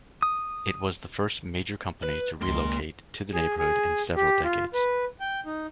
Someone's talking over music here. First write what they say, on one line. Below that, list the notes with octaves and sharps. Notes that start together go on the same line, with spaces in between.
It was the first major company to relocate to the neighborhood in several decades.
D#6
B4
C#2 D#3 A#3 C6
G#4
G#4
G4
F4
B4
G5
D#4